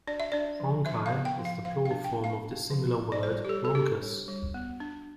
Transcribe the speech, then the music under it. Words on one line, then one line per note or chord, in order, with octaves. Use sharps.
"Rhonchi" is the plural form of the singular word "rhonchus".
D4 D5
E5
D4 D5
F3
F3 E5
F5
B3
G5
F3
F5
F3 F5
F5
D4
G5
B3
F5
D4
F3
D4
D5
G3 C5
G4
G3 A4
A4
D4 G4
G3
G3
B3
D4